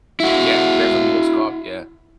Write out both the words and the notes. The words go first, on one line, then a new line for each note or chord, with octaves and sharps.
Yeah, Beverly Hills Cop, yeah.
E4 F#4